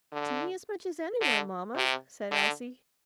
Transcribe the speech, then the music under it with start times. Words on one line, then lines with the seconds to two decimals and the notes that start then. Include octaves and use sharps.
"To me as much as anyone, mamma," said Elsie.
0.12 D3
1.21 D3
1.76 C3
2.31 D3